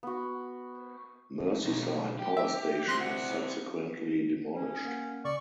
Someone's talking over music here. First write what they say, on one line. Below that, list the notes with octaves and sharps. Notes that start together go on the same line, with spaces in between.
Merseyside Power Station was subsequently demolished.
B3 F#4
B1
G4
E5
C4 E4 C6 F#6
F#5
C#4
A#3 F#5
C#3 D5 C#6